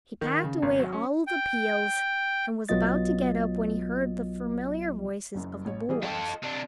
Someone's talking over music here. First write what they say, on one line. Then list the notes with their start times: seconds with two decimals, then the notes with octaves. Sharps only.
He packed away all the peels and was about to get up when he heard the familiar voices of the boars.
0.21 D#3
0.44 C#3
0.62 G#1
0.79 F#3
0.93 C#4
1.27 G5
2.69 B1 F#3 B3 F4 D#5 A6
5.35 F#1 F#2
5.65 A1 C#5
5.89 E3 G3 G#4
6.02 F4 A4 D#5 G5
6.28 D#5
6.42 C3 D4